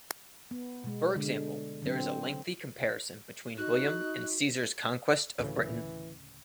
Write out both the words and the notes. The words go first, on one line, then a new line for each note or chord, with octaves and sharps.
For example, there is a lengthy comparison between William and Caesar's conquest of Britain.
B3
B2 G#3
D3 G#3
D3 F#3 C4
D#4 F#4 F#6
D2 A2 C#3 E3